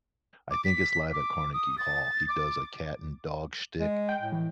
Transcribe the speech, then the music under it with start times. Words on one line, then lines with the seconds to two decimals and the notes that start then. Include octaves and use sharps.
I think it's Live at Carnegie Hall; he does a cat and dog shtick
0.51 D6
0.64 B6
1.13 D6
1.53 D#6
1.78 A6
2.28 D6
3.80 G#3
4.09 G5
4.21 A2
4.32 E3